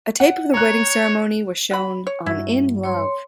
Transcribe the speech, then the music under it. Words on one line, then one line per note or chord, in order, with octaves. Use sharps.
A tape of the wedding ceremony was shown on "Inn Love".
F#5
C#5 A#5 F#6
F#4 B5
C#5
G2 E4 F#4
C#5 C6